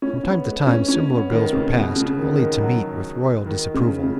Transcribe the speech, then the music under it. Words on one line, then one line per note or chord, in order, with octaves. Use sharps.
From time to time similar bills were passed, only to meet with royal disapproval.
C#4
B3
G#3
C#4
C#4
B3
D#3
C#3
B2
C#3
D#3
D#3
F#3
D#3
C#3
C#3